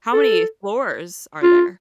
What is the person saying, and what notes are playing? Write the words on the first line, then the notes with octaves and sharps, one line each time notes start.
How many floors are there?
A4
F4